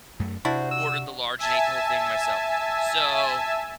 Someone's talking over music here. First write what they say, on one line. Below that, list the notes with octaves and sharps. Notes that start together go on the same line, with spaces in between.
ordered the large and ate the whole thing myself. So
F#2 A3
C3 D4 E4 F#4 C5
E6
E5 G#5 A5 E6